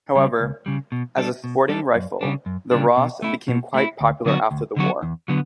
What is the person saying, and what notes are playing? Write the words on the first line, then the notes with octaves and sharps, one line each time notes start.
However, as a sporting rifle, the Ross became quite popular after the war.
C#3 G3
C#2
C#3 G3
B2
G3 D4 A4
B2
G3 D4 A4
F#2
C#3 G3 D4
F#2
C#3 G3 D4
B2
A3 E4
B2
A3 E4
D2
D3 F#3 B3 F#4
D2
D3 F#3 B3 F#4
E2
D3 F#3 B3